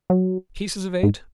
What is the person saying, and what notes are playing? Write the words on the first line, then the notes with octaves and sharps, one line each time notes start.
Pieces of eight!
F#3
G#2